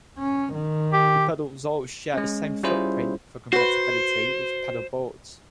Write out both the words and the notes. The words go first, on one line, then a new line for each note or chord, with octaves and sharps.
The pedals all share the same 'footprint', for compatibility with pedal boards.
C#4
D#3
G4
G#3 C#4
G3 C#4 E4 F4 G#4 C5
F#4 B4 C5